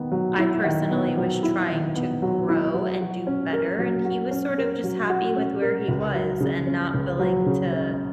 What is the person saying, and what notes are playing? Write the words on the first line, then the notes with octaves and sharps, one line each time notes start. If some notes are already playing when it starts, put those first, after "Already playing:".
I personally was trying to grow and do better. And he was sort of just happy with where he was and not willing to
Already playing: D#3 B3
F#3
E4
D#3
B3
F#3
E4
D#3
B3
F#3
E4
F#3
F#4
C#4
A#4
F#3
F#4
C#4
A#4
F#3
F#4
C#4
A#4
C#2
F#3
C#3
C#4
C#2
F#3
C#3
C#4